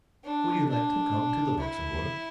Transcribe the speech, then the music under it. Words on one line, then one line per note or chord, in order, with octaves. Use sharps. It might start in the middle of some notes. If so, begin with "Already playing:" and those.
"Would you like to come to the Luxembourg?"
D4
D4
E4